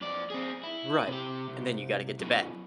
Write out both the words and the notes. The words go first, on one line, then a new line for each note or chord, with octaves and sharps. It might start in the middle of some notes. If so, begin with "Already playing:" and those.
Right, and then you gotta get to bed.
F2 D5
C4 G#4
E4
C3 G4
C2
F#2 B2